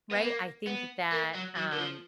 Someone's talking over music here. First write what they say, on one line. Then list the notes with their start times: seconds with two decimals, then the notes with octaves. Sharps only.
right? I think that, um,
0.11 B3
0.21 A#3
0.67 B3
1.12 A#3
1.35 F#3
1.57 F#3
1.72 D#3
1.79 F3